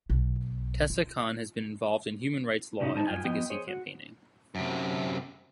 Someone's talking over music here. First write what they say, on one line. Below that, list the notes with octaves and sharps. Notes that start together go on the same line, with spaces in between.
Tessa Khan has been involved in human rights law and advocacy campaigning.
B1
F4
A2 C3 C#4 D#4 F#4 G#4
A2 G#3 D#4 C5 A5
F#2 F4 G5 G#5
F3 B3 D#5 G5
G#4 C5 C#5
F#4
F#2 C3